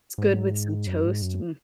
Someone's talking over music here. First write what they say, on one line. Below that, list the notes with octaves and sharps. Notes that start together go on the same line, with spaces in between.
It's good with some toast. Mm.
G#2
F#2
G#2
F#2